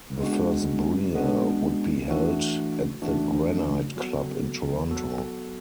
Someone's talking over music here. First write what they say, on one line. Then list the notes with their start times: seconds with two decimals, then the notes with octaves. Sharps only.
The first Brier would be held at the Granite Club in Toronto.
0.19 C#3 G#3 B3 D4 F#4
1.14 C#3 G#3 B3 D4 F#4
2.08 E3 A3 D4 F#4
3.01 E3 A3 D4 F#4
3.96 F#3 B3 F#4 A4
4.91 F#3 B3 F#4 A4